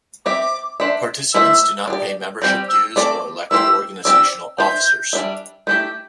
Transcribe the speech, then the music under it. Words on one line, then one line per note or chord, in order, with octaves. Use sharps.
Participants do not pay membership dues or elect organizational officers.
C4 G4 E5 D6
D4 C5 E5
A3 E4 C5 E5 E6
D4
G4 D5
G3 C4 G4 G6
E6
A3 C4 A4 D5 D6
A3 E4 G4 C5 E6
C4 G4 D5 E6
D4 C5 E5 G6
G3 D4 C5 E5
A3 E4 G4 G6